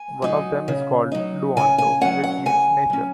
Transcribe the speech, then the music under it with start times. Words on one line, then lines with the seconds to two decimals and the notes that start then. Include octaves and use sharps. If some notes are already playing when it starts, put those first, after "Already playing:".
One of them is called "luonto", which means "nature".
Already playing: G#5
0.22 F#3 D#4
0.68 C#3
1.12 F#3 D#4
1.57 C#3 G#5
1.78 G#5
2.01 F#3 C#4 F#5
2.24 F#5
2.46 C#3 G#5
2.90 F#3 C#4